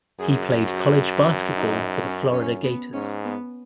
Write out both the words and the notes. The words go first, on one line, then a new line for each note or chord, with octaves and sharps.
He played college basketball for the Florida Gators.
F#2 G#4
F#4
D#4
C#4
C#4
B3
G#2 C#4
B3